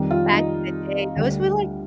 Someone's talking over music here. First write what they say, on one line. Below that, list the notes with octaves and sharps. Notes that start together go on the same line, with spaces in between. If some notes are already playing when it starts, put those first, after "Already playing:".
back in the day, those were like
Already playing: F2 D#3 G3
F4
D#4
D2 D3 G3